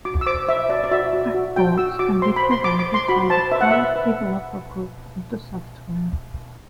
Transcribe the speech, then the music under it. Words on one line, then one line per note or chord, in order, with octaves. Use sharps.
Backports can be provided by the core developer group of the software.
F#4 D6
E6
C5 D6
C5 E5
F#4 D5
D5
F#4 E5
F#4
F#4
F#4 G5
F#4 E6
F#4 D6
C5 C6
B5
C5
C6
C5 D6
D6
C5
C6
F#4 B5
C5 A5
B4 E5
F#5
B4 E5
B4